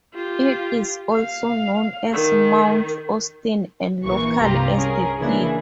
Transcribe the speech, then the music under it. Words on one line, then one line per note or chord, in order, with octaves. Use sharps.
It is also known as Mount Austin, and locally as The Peak.
F4 G4
F5
D#3
A#1 E3 A#3 C#6
C2 G2 C4 F4 G4 A#5
C#4 G#4 A#4
C#3 E3 A#3 D4 E4 G#4